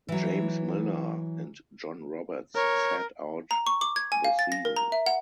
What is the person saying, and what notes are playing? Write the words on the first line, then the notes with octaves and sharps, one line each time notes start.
James Miller and John Roberts sat out the season.
E3 F#3
A#4 C#5
A#5
C#6
D6
G#6
G#5
F5
A6
A#6
A#4
A#5
E5
F#5